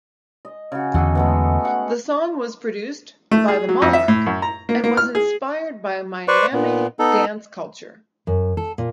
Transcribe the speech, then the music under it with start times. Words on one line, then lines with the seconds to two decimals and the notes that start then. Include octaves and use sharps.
The song was produced by The Monarch and was inspired by Miami dance culture.
0.45 D#5
0.72 C#3 F#4
0.94 E2 D3 F#4 A4 D#5
1.15 G#3 A3 B3
1.65 F#5
3.31 A3
3.48 G#4
3.69 F#3
3.82 F2
3.93 E5
4.08 A2
4.26 F#2
4.42 A#5
4.69 A#3
4.84 A#3
4.97 F6
5.15 G#4
6.28 B4 C5 D5 C#6
6.53 A#2 B3
6.99 B3 D#4 A4
8.27 F#2
8.57 A4
8.78 A#2